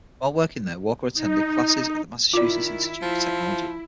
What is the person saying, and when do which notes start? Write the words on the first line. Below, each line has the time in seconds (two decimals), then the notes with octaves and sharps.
While working there Walker attended classes at the Massachusetts Institute of Technology.
1.15 D#4
2.34 D#3 E4 F4 D5
3.02 F3